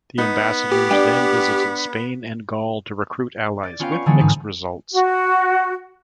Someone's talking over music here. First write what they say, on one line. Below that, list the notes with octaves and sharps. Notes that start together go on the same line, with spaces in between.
The ambassadors then visited Spain and Gaul to recruit allies, with mixed results.
B3 D#4
G4
D4 G5
D5
B3 C#4 F4 B4 F5 G5
C#6
D3 E3 F#3 G#3 A3 C#4
G#2 C4 D#4
F#4